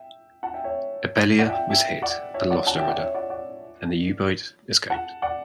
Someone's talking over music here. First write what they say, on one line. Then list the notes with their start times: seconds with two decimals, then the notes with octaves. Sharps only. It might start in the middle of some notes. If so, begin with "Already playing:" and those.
"Abelia" was hit and lost her rudder, and the U-boat escaped.
Already playing: E5 G5
0.43 F#5 A5
0.54 E5 G5
0.64 C#5 E5
1.38 D5 F#5
1.49 E5 G5
1.70 E5 G5
2.02 D5 F#5
2.34 C#5 E5
2.50 D5 F#5
2.66 F#5 A5
2.77 E5 G5
2.88 D5 F#5
2.98 C#5 E5
3.14 D5 F#5
3.30 D5 F#5
4.90 F#5 A5
5.22 D5 F#5